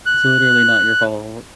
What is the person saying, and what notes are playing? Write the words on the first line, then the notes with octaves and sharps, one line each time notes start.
It's literally not your fault.
F#6